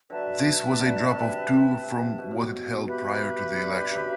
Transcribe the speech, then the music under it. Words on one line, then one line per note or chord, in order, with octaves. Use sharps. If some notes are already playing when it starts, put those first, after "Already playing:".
This was a drop of two from what it held prior to the election.
D3 F#3 B4 E5 A5
D3 F#3
D3
C3
C3
C3
B2
A2
B2
G4 B4 E5 B5
G2
F#2